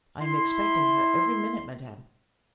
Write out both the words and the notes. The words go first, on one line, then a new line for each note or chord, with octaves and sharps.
I am expecting her every minute, madame.
E4 C6